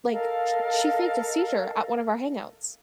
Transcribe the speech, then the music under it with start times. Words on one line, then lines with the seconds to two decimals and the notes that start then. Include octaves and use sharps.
like, sh she faked a seizure at one of our hangouts,
0.11 A4 A#4 D#5 F5